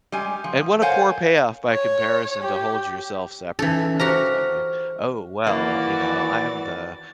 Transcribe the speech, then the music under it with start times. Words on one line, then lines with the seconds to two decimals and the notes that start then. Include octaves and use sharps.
and what a poor payoff by comparison to hold yourself separate from everybody. "Oh, well, you know, I am the
0.12 G3 G#3 G#5
0.44 F3
0.82 A#4 C5 C#5 F5 F#5 G#5
1.72 C#5
2.42 G4
3.59 E3 C#4 D#4 A4
4.00 F#4 G4 C5 A#5 F6
5.47 D#3 E3 A#3 F#4 D5 A6